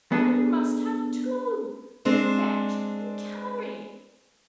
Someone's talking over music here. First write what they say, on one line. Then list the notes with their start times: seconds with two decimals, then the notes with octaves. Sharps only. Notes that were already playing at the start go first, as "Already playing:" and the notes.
'I must have Two--to fetch and carry.
0.12 B3 D4 G#4 A4 B4
2.05 G#3 C4 D4